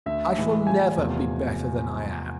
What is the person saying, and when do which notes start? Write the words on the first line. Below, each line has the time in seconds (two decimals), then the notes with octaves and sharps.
I shall never be better than I am.
0.06 D2 D3 A3 E5
0.37 A2 E3 G#3
0.67 A2 F3 G#3 G#5
0.97 E2 C3 F3 A3